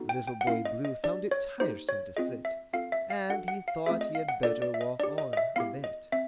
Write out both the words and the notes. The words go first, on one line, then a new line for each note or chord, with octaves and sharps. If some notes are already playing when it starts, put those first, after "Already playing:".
Little Boy Blue found it tiresome to sit, And he thought he had better walk on a bit.
Already playing: B3 D#4 F#4 A4
G5
G5
F#5
A#3 C#4 E4 F5
D#5
D#5
D4 G4 D5
C#5
A#3 D#4 G4 C5
C#5
C4 F4 G#4 D#5
E5
C4 F4 A4 F5
E5
F5
D4 F#4 A4 F#5
F#5
F5
A3 C4 F4 G#4 E5
D#5
F5
F#5
A#3 D4 F4 A4 D5
D5
E5
D#5
D4 G4 D5
D#5
D#5
E5
B3 E4 G4 F5
D#5
C4 E5